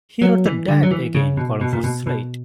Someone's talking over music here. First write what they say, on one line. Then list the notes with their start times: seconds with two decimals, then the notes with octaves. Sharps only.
He wrote the "Dad Again" column for "Slate".
0.22 F#3
0.45 E3
0.68 D3
0.83 F#3
0.91 E3
1.15 C#3
1.37 B2
1.61 B2
1.73 A#2
1.84 B2
2.07 B2